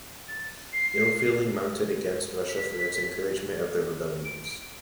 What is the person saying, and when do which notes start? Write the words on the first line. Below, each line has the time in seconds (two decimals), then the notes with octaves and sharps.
Ill feeling mounted against Russia for its encouragement of the rebellions.
0.28 A6
0.73 C7
2.49 B6
4.25 D7
4.47 D7